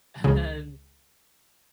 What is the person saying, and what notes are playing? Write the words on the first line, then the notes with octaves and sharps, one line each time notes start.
And then
C#2 C#3